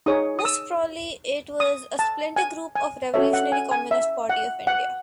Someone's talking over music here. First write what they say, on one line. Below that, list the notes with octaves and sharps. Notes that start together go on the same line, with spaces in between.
Most probably it was a splinter group of Revolutionary Communist Party of India.
D#4 G#4 C#5 D#6
D#6
E6
D#6
A5
G#5
G#5
C#4 F#4 A4 C#5 E5
F#5
G#5
G#5
E5
F#5
F#5